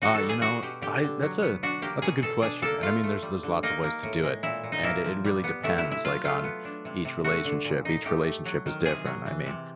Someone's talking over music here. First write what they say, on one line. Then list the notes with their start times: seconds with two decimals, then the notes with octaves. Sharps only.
Ah, you know, I that's a that's a good question and I mean there's there's lots of ways to do it, and it it really depends, like, on each relationship. Each relationship is different, I mean,
0.02 D#4 F#4
0.15 A4
0.22 G3
0.29 G#4
0.41 B2 F#4
0.62 B2 G4
0.82 D3 G4
1.03 D3
1.22 F#3
1.42 B3
1.63 D4 F#4
1.82 A#3 G4
2.02 B2 G#4
2.22 B2 A4
2.42 D4 G#4
2.62 A#3 A4
2.82 A3 F4
3.03 A3
3.23 G3
3.43 D3
3.63 A#3 D#4
3.84 A#3
4.03 A2
4.23 G#3
4.43 A#2 E4
4.63 A#2
4.72 D#4
4.83 A#3 E4
5.04 F3
5.24 G3
5.44 B3
5.64 A3 E4
5.78 E4
5.84 C3
5.91 E4
6.04 F#3 F4
6.25 A3 F4
6.44 B3
6.65 D4
6.85 C3
7.05 C3
7.24 A3 F#4
7.45 D3
7.65 A#2
7.85 D#4
8.05 A3 G4
8.26 A3
8.45 F#3
8.66 D#3
8.85 C3 G#4
9.05 F#3
9.26 E3
9.46 C3